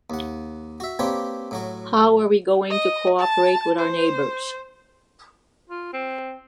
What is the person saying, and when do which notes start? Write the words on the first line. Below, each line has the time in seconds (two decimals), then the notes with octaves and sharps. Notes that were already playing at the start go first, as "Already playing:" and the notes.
How are we going to co-operate with our neighbours?
0.10 D#2 F#5
0.80 F#4 E5
0.99 A#3 C4 D4 G4 B4 C#5
1.51 A2 F#3 F#4
2.70 D#5
3.19 A5
3.79 C5
5.69 F4
5.93 C4